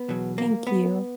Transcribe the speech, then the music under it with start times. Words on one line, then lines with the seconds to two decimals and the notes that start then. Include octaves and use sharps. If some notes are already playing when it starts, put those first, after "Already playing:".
thank you.
Already playing: B3
0.08 E2 B2 F#3
0.38 A#3
0.67 B3